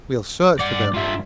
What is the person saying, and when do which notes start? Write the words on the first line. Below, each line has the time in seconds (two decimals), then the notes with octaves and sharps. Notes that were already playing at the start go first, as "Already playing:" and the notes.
We'll search for them.
0.59 G2 D5 F#5
0.94 G2 F4 E5